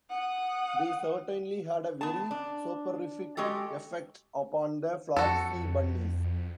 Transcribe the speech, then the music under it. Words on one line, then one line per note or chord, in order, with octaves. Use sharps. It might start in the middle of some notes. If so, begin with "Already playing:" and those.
They certainly had a very soporific effect upon the Flopsy Bunnies!
F#5 D#6
B3 A5
D4
G#3 F#4 G4 A4
F2 F#4 A4